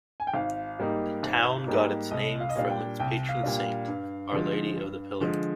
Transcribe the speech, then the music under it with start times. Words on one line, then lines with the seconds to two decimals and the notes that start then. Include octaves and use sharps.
The town got its name from its patron saint, Our Lady of the Pillar.
0.20 G#5
0.27 G5
0.34 G#1 F5
0.79 G#2 G3 A#3 D#4
1.23 G#1
1.67 G#2 G3 A#3 D#4
2.11 C2 D#5
2.40 F5
2.49 D#5
2.55 A#2 G3 D4 F5
2.70 G5
2.99 C2 G5
3.29 F5
3.43 A#2 G3 D4
3.58 F5
3.88 G2
4.32 D3 F3 G#3
4.76 G2
5.21 D3 F3 G#3